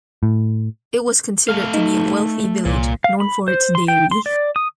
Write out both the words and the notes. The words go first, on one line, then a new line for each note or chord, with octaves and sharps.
It was considered to be a wealthy village, known for its dairy.
A2
A3 F5 F6
D#4
C2 A#2
F5
B5
C5
C6
G5
C6
D5
D#6